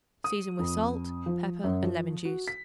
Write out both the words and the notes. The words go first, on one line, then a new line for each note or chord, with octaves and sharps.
Season with salt, pepper and lemon-juice.
D#6
F2
F3
F#2
F3
F#4
B6